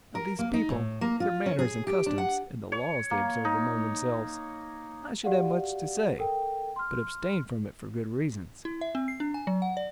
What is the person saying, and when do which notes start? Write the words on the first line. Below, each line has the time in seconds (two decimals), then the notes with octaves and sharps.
Of these people, their manners and customs, and the laws they observe among themselves, I should have much to say, but abstain from it for good reasons.
0.15 A#4
0.39 A#3
0.54 D#4
0.70 A2
1.01 A#3
1.20 F4
1.46 C#4
1.59 G#4
1.87 G4
2.06 D4
2.18 F#5
2.72 C#5
3.11 A#3
3.45 D#4
5.24 F#4 G4 D5 F5 F#5
6.19 A4 A#4 G5
6.76 C6 F6
8.65 E4
8.81 E5
8.95 C4
9.08 C7
9.20 D4
9.34 G#5
9.47 F#3
9.62 F#5
9.77 D5